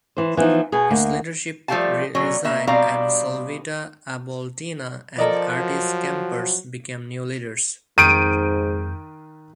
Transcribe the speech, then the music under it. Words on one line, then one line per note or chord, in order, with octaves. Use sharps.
Its leadership resigned, and Solvita Aboltina and Artis Kampars became new leaders.
E3 C5
E3 F3 B3 D#4
B2 B3 G#4
D2 A#3
F3 G3 A3 G4 F5 A5
B2 D3 F#3 C#4
B2 A#3 E5
B2 G3 C4 D4 F5 A#5
F3 A4 A#4 D5 D#5
F#3
F2 G#2 D#3 G6 D7 D#7